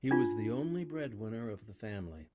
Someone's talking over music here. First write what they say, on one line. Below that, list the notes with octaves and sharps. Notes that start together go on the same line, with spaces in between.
He was the only breadwinner of the family.
D4 F4